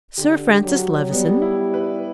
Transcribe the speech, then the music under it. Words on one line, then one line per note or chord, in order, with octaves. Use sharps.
Sir Francis Levison?
D3 G4
G4
F#3
G4
G3 B3
E4
B4